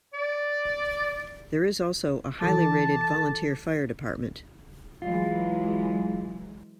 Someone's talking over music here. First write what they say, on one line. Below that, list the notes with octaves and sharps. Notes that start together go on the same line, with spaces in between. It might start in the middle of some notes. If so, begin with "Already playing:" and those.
There is also a highly rated volunteer fire department.
D5
E3 A4 A5 D6
E3 F#3 G#3 F4